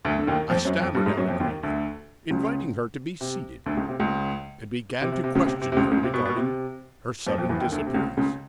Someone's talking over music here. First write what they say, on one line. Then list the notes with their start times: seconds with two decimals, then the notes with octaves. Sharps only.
I stammered out a greeting, invited her to be seated, and began to question her regarding her sudden disappearance.
0.05 D2 D3
0.19 D3
0.27 D#2 D#3
0.50 F2 F3
0.65 F#2 F#3
0.80 F2 F3
0.95 G2 G3
1.06 G#2 G#3
1.17 F#2 F#3
1.29 F2 F3
1.40 D#2 D#3
1.63 D2 D3
2.30 C#2 C#3
3.21 C3
3.66 D2 D3
3.77 C#2 C#3
3.89 C3
3.99 C#2 C#3
5.01 C3
5.12 C3
5.24 C3
5.35 C#2 C#3
5.46 C3
5.62 C3
5.72 C3
5.77 C#2 C#3
5.91 C#2 C#3
6.03 C3
6.14 B2
6.25 B2
6.37 C3
7.27 F2 F3
7.38 F2 F3
7.49 E2 E3
7.61 D#2 D#3
7.72 D2 D3
7.86 C3
7.94 C#2 C#3
8.17 C#2 C#3